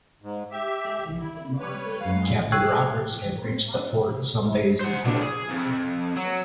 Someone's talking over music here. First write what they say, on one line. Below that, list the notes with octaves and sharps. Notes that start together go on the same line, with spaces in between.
Captain Roberts had reached the fort some days before.
G#2
G4 E5
E4
G3 B4 C#5
F#2 F5
G5 C#6 E6 F#6 G#6
C5 F#5
A2 D4
G#4
F2
F#3